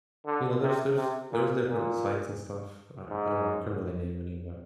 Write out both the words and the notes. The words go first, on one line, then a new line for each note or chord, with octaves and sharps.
you know, there's there's there's different sites and stuff, I I don't know, I couldn't really name any of that.
D3
C3
C3
A#2
A#2
G#2